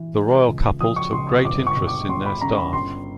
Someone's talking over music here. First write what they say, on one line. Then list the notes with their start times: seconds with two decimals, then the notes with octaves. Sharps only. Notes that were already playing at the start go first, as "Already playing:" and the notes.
The royal couple took great interest in their staff.
Already playing: E3
0.16 G#3
0.49 C#2
0.81 F3 D#6
0.96 C#6
1.13 C#2 C6
1.29 D#6
1.45 G1 D6
1.67 C#6
1.77 G1
1.87 D6
2.09 G1 C6
2.26 B5
2.41 C#3 A#5
2.57 B5
2.73 G1 C6